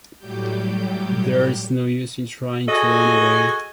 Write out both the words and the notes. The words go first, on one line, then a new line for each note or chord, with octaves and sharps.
There’s no use in trying to run away.
A2 F#3 G3 G4 G6
F#4 G#4 A4 D#5 G#5